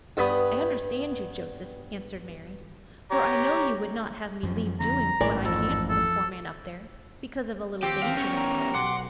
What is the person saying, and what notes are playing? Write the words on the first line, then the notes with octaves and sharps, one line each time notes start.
"I understand you, Joseph," answered Mary, "for I know you would not have me leave doing what I can for the poor man up there, because of a little danger in the way."
G2 G3 B3 B5 D#6
G4 C#5 A#5
F#2 F3
F2 D3 A#5
A1 G#2 E3 A#4 D5
F2 A4
A4
D#2 C4 G4
E3 F5
B3 C#4 A#4 C#5
A#5
B1 F#5 C6 D6